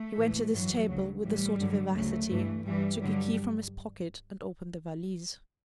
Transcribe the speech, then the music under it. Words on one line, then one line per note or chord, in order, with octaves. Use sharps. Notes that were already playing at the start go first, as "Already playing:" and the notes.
He went to this table with a sort of vivacity, took a key from his pocket, and opened the valise.
Already playing: A3
A2 E3
G2 E3 F#3
D2 C#3 F#3
A2 E3 G3
G2 D3 F#3
D2 C#3 F#3 A3
G2 E3
G2 E3 G3
G2 D3 F#3 G3